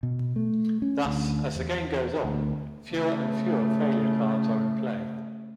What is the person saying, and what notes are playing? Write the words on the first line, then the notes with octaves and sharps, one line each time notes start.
Thus, as the game goes on, fewer and fewer failure cards are in play.
B2
A3
C#4
D2
E2
D2
C#3 A3